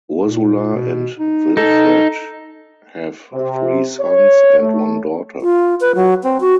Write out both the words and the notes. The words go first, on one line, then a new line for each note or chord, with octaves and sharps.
Ursula and Wilfred have three sons and one daughter.
A#2
B2
D#4
D#4 A4
C3
C#5
A3
F4
B4
F#3
C4
F#4